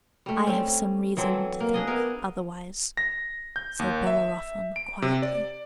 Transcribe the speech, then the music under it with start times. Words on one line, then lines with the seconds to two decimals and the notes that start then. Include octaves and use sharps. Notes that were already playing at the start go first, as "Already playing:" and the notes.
"I have some reason to think otherwise," said Bellerophon, quietly.
0.26 G3 A3
0.47 G3 C4 C#4
1.17 E3 F#3 C4 A4
1.60 A#3
1.74 D4 G#4 D#5
1.87 B3 E4 A#4
2.97 A#6
3.56 G6
3.79 D#2
4.07 E5
4.76 D7
5.02 C3
5.22 D5